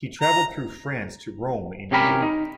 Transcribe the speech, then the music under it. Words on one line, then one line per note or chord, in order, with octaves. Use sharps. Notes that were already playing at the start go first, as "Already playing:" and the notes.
He travelled through France to Rome in Italy.
A#5
C3 C#4 G4 A#4 B5
D#4